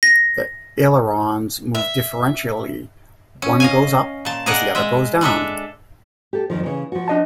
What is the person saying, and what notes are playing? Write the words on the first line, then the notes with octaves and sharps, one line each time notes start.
The ailerons move differentially - one goes up as the other goes down.
A#6
E5
C#4
D#5 F5 G#5
A#2 A5
G#4 A#4 D5 D#5 F#5
G#3 E5
G#3 D4 A4 E5
G4 A4
F2 D#3 F3
C#3 E3
F3 F#4
D4 D#5 A5